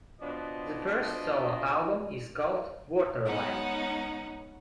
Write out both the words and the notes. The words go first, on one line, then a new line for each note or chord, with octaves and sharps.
The first solo album is called "Waterland".
B2 F3 B3 D4 D#5 C6
G#3 B3 C#4 D#4 F#5